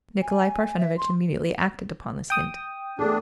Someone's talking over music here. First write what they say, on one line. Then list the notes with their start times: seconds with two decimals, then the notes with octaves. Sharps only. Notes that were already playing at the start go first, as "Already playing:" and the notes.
Nikolay Parfenovitch immediately acted upon this hint.
0.22 G#5
0.78 E5
0.97 C6
2.30 G5 D#6
2.99 E2 A3 D4 G#4